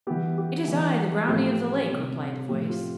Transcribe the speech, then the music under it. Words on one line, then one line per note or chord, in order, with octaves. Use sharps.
'It is I, the brownie of the lake,' replied the voice.
E3 G3 B3 G4
G4
E3 B3
A2 F3 A3 G4
C3 G3 C4
A2 F3 A3 C4 G4
F4